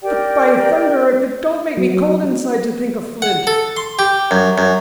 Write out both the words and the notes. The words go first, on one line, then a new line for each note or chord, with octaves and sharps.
But, by thunder! If it don't make me cold inside to think of Flint.
G4 A#4 D5 G5
F#3
F#5
A4
C6
G4
F#2
F#2